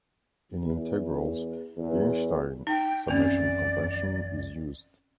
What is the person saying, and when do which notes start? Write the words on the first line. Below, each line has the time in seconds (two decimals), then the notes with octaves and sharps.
In integrals, the Einstein summation convention is used.
0.64 E2
1.77 E2
2.67 D#4 G5
3.08 A#1 F#2 E3 C4 C#4 D5